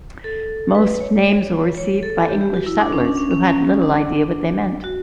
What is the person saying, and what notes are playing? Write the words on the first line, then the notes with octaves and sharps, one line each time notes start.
Most names were received by English settlers who had little idea what they meant.
A4
B4
C#5
C#5
A4
G4
G4
F#4
E4
D4
C#4
D4
C#4
C#4
C#4
D4
F#4